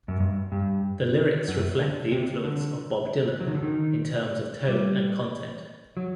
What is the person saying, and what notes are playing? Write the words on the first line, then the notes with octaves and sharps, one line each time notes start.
The lyrics reflect the influence of Bob Dylan, in terms of tone and content.
F#2
G2
G2
F#2
D3
C3
D3
F#3
D#3
D3
D#3
G3
F#3